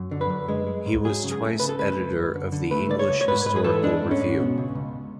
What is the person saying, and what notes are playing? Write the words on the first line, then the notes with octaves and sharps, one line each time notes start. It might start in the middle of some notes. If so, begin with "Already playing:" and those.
He was twice editor of the "English Historical Review".
Already playing: F#2
D3
B4
F#2
G#3
G#3
G#2
F#3 G#4
C#3
G#4
A3
C#3 B4
A4
C#2 B4
C#2
F#2
D3
D3
A3 B4
C#2 D5
C#5
C#2
C#5
G#2 B4
G#2 B4
G#4
E3 A4
G#3 D4
G#2
C#4
G#2
B2
C#2
C#2